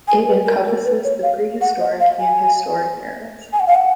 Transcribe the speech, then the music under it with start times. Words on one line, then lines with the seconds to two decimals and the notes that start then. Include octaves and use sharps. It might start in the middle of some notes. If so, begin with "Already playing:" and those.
It encompasses the pre-historic and historic eras.
0.08 G#5
0.27 B4
0.46 A#4
0.66 A#4
0.85 B4
1.04 C#5
1.23 F5
1.61 F#5
1.80 D#5
2.00 F5
2.19 G#5
3.53 G#5
3.60 F#5
3.67 F5
3.74 F#5